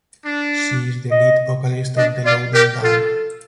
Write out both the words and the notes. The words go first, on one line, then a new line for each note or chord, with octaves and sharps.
She is the lead vocalist of "The Loading Band".
D4
D#5
D4 D#5
F4 D5
G4 A#4
F4 A4